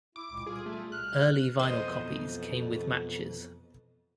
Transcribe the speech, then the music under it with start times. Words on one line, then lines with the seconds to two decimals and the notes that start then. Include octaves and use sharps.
Early vinyl copies came with matches.
0.16 E4 D6
0.31 C#2 A#2 D6
0.46 A#2 G3 F4 G#4
0.66 A3
0.92 C2 B2 F6 F#6
1.59 F2 B2 E3 B3 C5 D#5